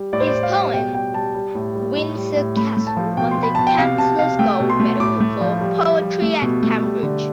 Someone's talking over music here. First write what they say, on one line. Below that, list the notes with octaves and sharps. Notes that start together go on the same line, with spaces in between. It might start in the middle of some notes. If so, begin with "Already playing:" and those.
His poem "Windsor Castle" won the Chancellor's Gold Medal for poetry at Cambridge.
Already playing: G3
A2 D5
C5
D5
A2
F5
G3
B2 G5
G3 G5
G3 A5
G3
A2
G3
A2
G3
A2
A3 B5
A3
A5
F3
B2 G5
C6
B2
B5
B2 A5
G5
C3 F5
C3 A5
C3 F5
A3 G5
B2
C6
A3
A2 D6
A3
F3
G3
G3
G3
A3
B2
A3
G3
D3